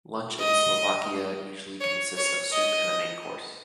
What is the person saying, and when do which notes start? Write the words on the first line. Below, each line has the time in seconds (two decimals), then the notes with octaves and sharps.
Lunch in Slovakia usually consists of soup and a main course.
0.39 D#5
1.80 C#5
2.17 C#5
2.52 D#5